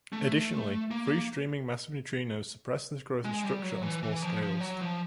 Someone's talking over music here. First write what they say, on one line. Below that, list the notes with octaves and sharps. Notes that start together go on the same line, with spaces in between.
Additionally, free-streaming massive neutrinos suppress the growth of structure on small scales.
A3
A#3
G#3
G3
F#3
E3
E3
F3
F3
F#3
F3